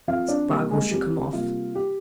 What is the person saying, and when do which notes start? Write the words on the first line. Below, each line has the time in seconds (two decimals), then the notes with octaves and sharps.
Spargo shook him off.
0.08 F2 F4 F5
0.28 D4 D5
0.49 C3 G3 A#3 G4
0.71 G#3 G#4
0.91 F2 G4
1.33 C3 G3 A#3 F4
1.75 G4